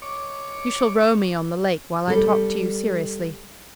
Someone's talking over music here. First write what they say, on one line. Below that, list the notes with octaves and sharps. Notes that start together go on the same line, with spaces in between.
"You shall row me on the lake while I talk to you seriously."
C#5 D6
G3 A4